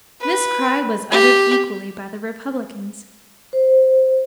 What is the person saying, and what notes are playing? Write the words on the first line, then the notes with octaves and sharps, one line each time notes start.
This cry was uttered equally by the republicans.
B4
G4
C5